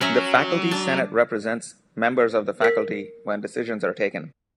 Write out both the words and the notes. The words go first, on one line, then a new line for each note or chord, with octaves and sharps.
The faculty senate represents members of the faculty when decisions are taken.
F#3 C#4 E5 A#5
D4 A5
A#4 B6